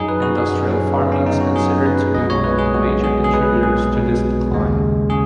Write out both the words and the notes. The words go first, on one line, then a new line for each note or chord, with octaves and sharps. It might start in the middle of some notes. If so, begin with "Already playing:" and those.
Industrial farming is considered to be one of the major contributors to this decline.
Already playing: F#2 F#3 D#4 G#4
B4
F#4
F#2 F#3 G#4
C#4
F#2 F#3 B3
C#4
D#4
F#4
F#2 F#3 G#4
B4
B1 B2 G#3 D#5
C#5
B4
G#4
B1 B2 G#3 F#4
G#4
G#4
B1 B2 G#3 B4
G#4
B1 B2 G#3
D#2 C#3 G#3
C#3 G#4